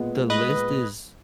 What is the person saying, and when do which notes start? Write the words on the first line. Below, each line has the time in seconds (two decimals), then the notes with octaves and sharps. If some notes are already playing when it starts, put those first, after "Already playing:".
the list is
Already playing: A#2 G#3 B3
0.30 B4 D#5